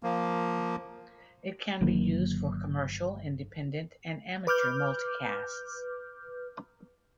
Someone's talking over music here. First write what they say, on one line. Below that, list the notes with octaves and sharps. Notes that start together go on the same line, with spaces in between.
It can be used for commercial, independent, and amateur multicasts.
F3 A#3
G1 D#3 F#3 A#3
B4 D6 F6 G6